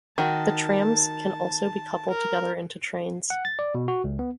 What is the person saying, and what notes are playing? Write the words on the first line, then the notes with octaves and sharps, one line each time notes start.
The trams can also be coupled together into trains.
D#3 F#4 A5
A#4
F#5
A6
D5
B2
F#4
C#2
B3